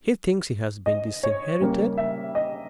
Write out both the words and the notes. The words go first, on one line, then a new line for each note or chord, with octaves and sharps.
"He thinks he has been disinherited?"
D#5
C#5
C#3 G3 A#3
E5
D#5